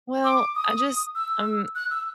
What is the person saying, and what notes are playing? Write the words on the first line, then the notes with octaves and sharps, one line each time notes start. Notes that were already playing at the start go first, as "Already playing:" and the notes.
"Well, I just I'm
D6
D#6
E6
F#6
E6